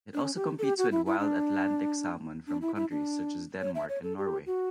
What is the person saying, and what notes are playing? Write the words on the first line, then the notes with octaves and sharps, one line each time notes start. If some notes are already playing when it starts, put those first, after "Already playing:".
It also competes with wild Atlantic salmon from countries such as Denmark and Norway.
D4
C#4
G4
A4
G4
F#4
E4
E4
D4
D4
E4
E4
D4
C#5
E5
C#5
A4
G4
F#4